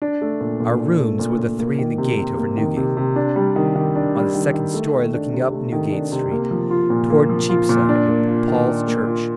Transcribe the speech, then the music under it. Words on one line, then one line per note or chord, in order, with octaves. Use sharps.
Our rooms were the three in the gate over Newgate--on the second story looking up Newgate Street towards Cheapside and Paul's Church.
D4
A3
A#2
A#2
D4
A3
A#2
A#2
A#3
D#3
C3
C3
A#3
D#3
C3
C3
D4
G3
D#3
D#3
D4
G3
D#3
D#3
A3
D#3
D4
C3
A3
D#3
D4
C3
A#3
F3
F4
A#2
A#3
F3
F4
A#2
D4
A#3
F4
D#3
D4
A#3
F4